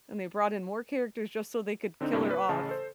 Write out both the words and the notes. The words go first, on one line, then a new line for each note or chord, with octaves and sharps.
and they brought in more characters just so they could kill her off,
D3 C4 D4 D#4
G2 C3 A#3 D4 E4
B4
A1 C#3 D#5 A5
A4 C5